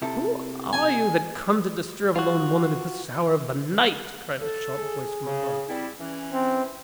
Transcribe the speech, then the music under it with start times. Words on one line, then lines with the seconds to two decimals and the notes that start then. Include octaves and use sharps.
"Who are you, that come to disturb a lone woman at this hour of the night?" cried a sharp voice from above.
0.02 C3 E4 A4
0.73 G#5
2.16 F4 F#4
4.41 A4
4.78 G#4
5.24 C#3
5.68 G3 C4 E4
5.99 E3 C#4
6.33 C4